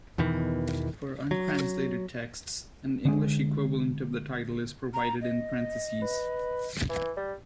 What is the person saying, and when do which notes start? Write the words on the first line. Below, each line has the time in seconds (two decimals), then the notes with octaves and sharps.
For untranslated texts, an English equivalent of the title is provided in parentheses.
0.18 E2 B2 D#3 E3
1.31 F#3
3.05 D3 G#3
4.93 A#5
5.21 D#5
6.02 B4
6.89 E3
7.16 G3